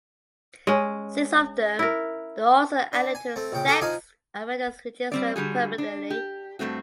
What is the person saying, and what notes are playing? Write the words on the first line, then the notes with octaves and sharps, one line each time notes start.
Six of them were also added to the sex offenders register permanently.
G#3 C#4
E4 A#4
D4
G#5
A3 C4
A#1 C#3 G5
G4 A4 C#6 D6
F3 D#4 F5 G#5 D#6
G3 C4 D5
D3 G3 F#4 G#4
D4
G4
G2 B2 A3 C4 F#4